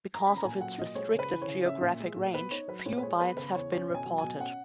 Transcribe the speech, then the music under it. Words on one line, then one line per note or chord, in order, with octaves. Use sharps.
Because of its restricted geographic range, few bites have been reported.
A#5
C#4 B5
A#5
A#2 G#5
F#3 F#5
A#2 D#5
G#3 C#5
C#3
B4
E3
C#5
C#3
C#4 E5
A#2
G#3
A#2
B3 B4
D#4 C#5
F#3 B4
A#2 C#5
B4
G#3 C#5
B3 B4
C#3 B4
E2 C#5
C#4 C#5
B2 G#5
F#3
B2 G#5
C#4 F#5